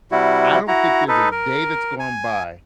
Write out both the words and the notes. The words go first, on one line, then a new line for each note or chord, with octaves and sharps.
I don't think there's a day that's gone by
C3 G3 E4 F#4
E4 F#4 A#5
D#4 A4 B4
A#4
G#5